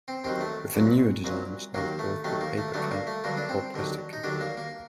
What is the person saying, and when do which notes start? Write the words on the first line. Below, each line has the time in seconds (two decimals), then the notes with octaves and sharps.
With the newer designs they have both the paper cap or plastic cap.
0.08 C4
0.24 D#2 D#3 F#3 C4
0.41 A3
0.74 C2 A#2 F#3
1.24 C2 A#2 F#3
1.74 D#2 D#3 F#3 A#3
1.99 A3
2.24 D#2 D#3 F#3 A3
2.41 A#3
2.57 A3
2.74 G2 D3 F#3 A3
2.91 A#3
3.07 A3
3.24 G2 D3 F#3 A#3
3.37 D4
3.49 C4
3.74 D#2 D3 F#3
4.13 D#4
4.24 D#2 D3 F#3 D4
4.41 A#3
4.57 A#3